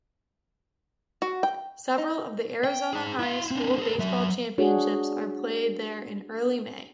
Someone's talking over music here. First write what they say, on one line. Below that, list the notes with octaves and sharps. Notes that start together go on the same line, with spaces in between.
Several of the Arizona high school baseball championships are played there in early May.
F#4
G5
D#4
G5
D#4 G#4
E4 F5
C4 D4
G#4 A#4
F#3 E5
G#3 D4 F#4 G#4 C#5